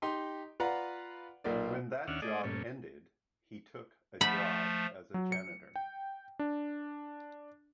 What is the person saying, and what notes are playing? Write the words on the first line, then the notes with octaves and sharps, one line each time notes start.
When that job ended, he took a job as a janitor.
D#4 G4 C6
F4 B4 D5 F5 F#5 A#5
B1 A#2 A#3 D5
D#2 C#4 D4 E5 F#5 F6
A3 G#4 D5 D#5
G2 A#2 A3 C#4
F3 A3 B5
F#3
C#7
G5
D4